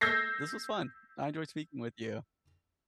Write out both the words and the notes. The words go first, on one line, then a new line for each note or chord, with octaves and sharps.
this was fun. I enjoyed speaking with you.
E6 G6 G#6 A#6 C7